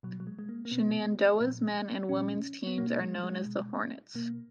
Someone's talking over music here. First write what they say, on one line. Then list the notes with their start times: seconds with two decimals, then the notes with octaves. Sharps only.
Shenandoah's men's and women's teams are known as the Hornets.
0.03 B2 F#3
0.20 F#3
0.27 G#3
0.39 G#3
0.49 A#3
0.65 A#3
0.71 B2 B3
1.40 A#2 F3
2.09 A#2 F3 C#4
2.67 B3
2.78 B2 A#3
3.01 G#3
3.18 F#3
3.24 G#3
3.46 B2
4.15 B2 A#3